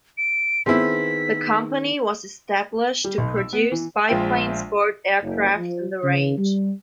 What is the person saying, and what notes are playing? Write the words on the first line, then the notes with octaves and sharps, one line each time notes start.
The company was established to produce biplane sport aircraft in the range.
D7
D#3 B3 C4 E4 G#4 B6
G3
B1
E6
B3
E3
A#1 G#3 F4 C5 E5 G5
F#1
F3
C#3
G3